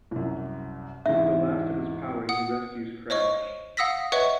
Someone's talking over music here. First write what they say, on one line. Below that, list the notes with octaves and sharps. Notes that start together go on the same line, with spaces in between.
With the last of his power, he rescues Crash.
C2 F#2
E2 G#2 E5
F#5 D#6
C5 C#5 D#5 C#6
F5 F#5 D#6 E6 A#6 B6
B4 C#5 D#5 E5 F#5 C#6